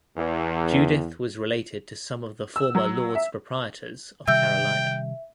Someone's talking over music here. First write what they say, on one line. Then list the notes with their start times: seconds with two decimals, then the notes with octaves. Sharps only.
Judith was related to some of the former lords proprietors of Carolina.
0.16 E2
2.56 E6
2.75 F#3
3.15 E5
4.28 C3 D#3 G3 E5 G5 E6 G6